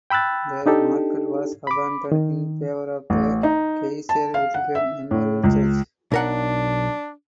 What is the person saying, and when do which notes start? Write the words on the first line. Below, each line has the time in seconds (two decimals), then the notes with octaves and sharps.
The market was abandoned in favour of the Kaiser Wilhelm Memorial Church.
0.10 G5 B5 E6 F#6 A6
0.66 D4 D#4 G4 A4
1.67 B5 D6
2.12 D#3
3.10 A1
3.43 D#4
4.09 A5
4.34 F5
4.54 F#5
4.75 E5
5.11 A2
5.44 C#2
6.12 B1 D4 A#4 F#5